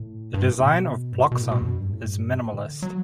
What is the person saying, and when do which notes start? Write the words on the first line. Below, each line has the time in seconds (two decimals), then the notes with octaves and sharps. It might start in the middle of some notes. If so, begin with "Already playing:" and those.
The design of Blosxom is minimalist.
Already playing: A2
0.34 G2
0.49 A2
0.64 B2
1.12 G2
1.21 A2
1.32 B2
1.41 A2
1.51 B2
1.61 E2
1.66 F#2
1.80 G2
1.93 A2
2.05 G2
2.39 A2
2.53 D3
2.82 F#3